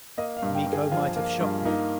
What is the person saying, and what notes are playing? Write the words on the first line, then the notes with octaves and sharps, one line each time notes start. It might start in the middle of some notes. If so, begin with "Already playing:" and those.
Or Miko might have shot me.
A#3 D#5
F5
G2
G5
G2
G#4
F3 F4
A#3
G2
A#3 D#4